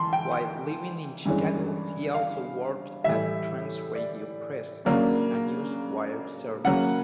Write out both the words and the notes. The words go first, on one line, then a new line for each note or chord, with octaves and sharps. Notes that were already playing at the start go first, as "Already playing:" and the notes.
While living in Chicago he also worked at Trans-Radio Press, a news wire service.
Already playing: E3 A5 C6
G5
G2 E3 G#3 C#4
F5
A2 E3 G3 E5
D5
C#3 F#3 A#3 D4
C#3 F#3 A#3 F#5